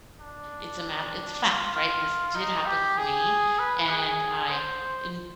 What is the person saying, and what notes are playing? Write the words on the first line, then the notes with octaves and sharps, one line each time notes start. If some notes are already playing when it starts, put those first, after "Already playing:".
it's a mat" it's a fact, right? This did happen to me, and I am
D4
F4
F4
D#4
G4
G#4
B4
G#4
C5